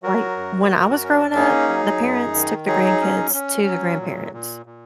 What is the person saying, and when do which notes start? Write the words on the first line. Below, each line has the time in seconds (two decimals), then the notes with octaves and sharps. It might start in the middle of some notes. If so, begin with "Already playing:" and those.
like, when I was growing up, the parents took the grandkids to the grandparents.
0.03 F#3 F#4 A#4
0.36 F#2
0.69 F#2
1.03 C#4
1.35 A#3 D#4 G#4
1.69 F#3
2.02 F#2
2.35 D#3
2.67 F#3 D#4 G#4
3.01 C#4
3.34 C#4
3.67 F#3
3.99 A#2
4.33 A#2
4.66 A#2